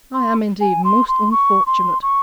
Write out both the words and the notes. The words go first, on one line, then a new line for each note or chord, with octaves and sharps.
I am indeed most unfortunate.'
C6
G#5
C6
C6
C#6
C6
C#6